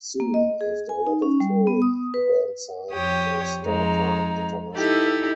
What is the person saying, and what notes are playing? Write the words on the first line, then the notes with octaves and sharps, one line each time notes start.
Soon, after a lot of touring, the band signed to Startime International.
A#3
D#5
G#4
G#5
D#4
C#4
G3
B3
D#6
B4
F2 G4 C#5 G5 D#6
F2 G#3 D#4 A#5
D#4 E4 G4 A4